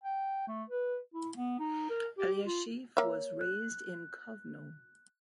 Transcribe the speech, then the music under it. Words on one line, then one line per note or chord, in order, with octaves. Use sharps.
Elyashiv was raised in Kovno.
G5
A3
B4
E4
B3
D#4
A#4
G4
F4
A#3 C#5 E5
F#6